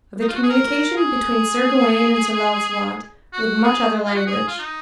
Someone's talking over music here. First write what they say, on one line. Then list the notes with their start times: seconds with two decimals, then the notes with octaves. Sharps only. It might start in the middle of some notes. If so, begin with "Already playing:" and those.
Of the communication between Sir Gawaine and Sir Launcelot, with much other language.
0.21 D#4
0.28 F4
0.35 F#4
0.43 G#4
0.50 A#4
0.97 G#4
3.33 F#4
3.64 G#4
4.05 F4
4.16 F#4
4.27 G#4
4.48 F4
4.59 D#4